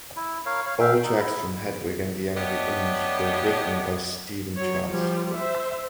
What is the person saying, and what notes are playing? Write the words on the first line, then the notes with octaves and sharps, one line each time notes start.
All tracks from "Hedwig and the Angry Inch" were written by Stephen Trask.
E4
A#4 C#5 F5
C#5 F5
E5 F5 G5
D#4
E4
A3 B3 D4 G4 C#5 D#5
F#3 C#5
F3 G3
C5 E5